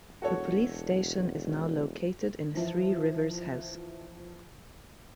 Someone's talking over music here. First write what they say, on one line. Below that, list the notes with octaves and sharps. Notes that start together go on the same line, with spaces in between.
The police station is now located in Three Rivers House.
E1 F#4 A4 C#5
E3 F3 E4